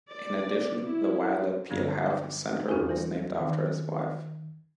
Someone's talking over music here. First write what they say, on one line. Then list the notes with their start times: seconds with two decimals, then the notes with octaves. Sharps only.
In addition, the Violet Peel Health Centre was named after his wife.
0.12 D5
0.84 E4
1.70 G2 D3 F3 G3 B3 D4
2.06 G5 D6
2.68 E2 C#4 D#4 F4 G#5
2.89 E3 G3
3.40 D#3